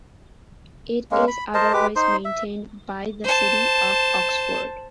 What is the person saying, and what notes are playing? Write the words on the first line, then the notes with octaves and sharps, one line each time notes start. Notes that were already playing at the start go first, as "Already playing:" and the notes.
It is otherwise maintained by the city of Oxford.
G#3 A#3 C#4
B5
A#4 C5 D#5 A5
G#3 G4 B4 D6
D#4 C5 C6
E5
C5 A5